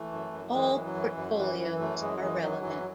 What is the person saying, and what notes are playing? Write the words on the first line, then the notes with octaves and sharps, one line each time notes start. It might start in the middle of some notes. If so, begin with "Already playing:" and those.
All Portfolios are relevant.
Already playing: E3 A3
F#2
F#2
E3 G#3
E3
F#3
F#2
F#2
E3
E3
F#2 A3
F#2 G#3
E3 G#3
E3 F#3
F#2